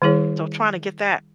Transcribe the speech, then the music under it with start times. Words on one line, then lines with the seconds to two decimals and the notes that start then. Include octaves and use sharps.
So, trying to get that
0.02 D#3 G3 E4 G#4 C#5